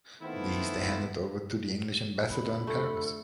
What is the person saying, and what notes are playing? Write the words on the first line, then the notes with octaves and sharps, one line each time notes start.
These they handed over to the English ambassador in Paris.
D#3 A3 B3 C4 E4 F4
F2 D3 B5
A3 A4